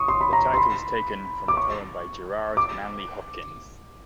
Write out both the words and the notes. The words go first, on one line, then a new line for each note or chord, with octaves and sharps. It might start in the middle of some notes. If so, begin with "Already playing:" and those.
The title is taken from the poem by Gerard Manley Hopkins.
Already playing: C#6 D#6
C6
B5
A#5
C6
B5
D6
C#6
D6